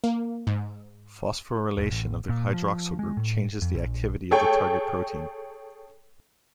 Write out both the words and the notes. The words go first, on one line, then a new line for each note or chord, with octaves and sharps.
Phosphorylation of the hydroxyl group changes the activity of the target protein.
A#3
G#2
E1
A1
A#2
F3
G#3
A2
F2
A#1
G#4 A4 C#5 G5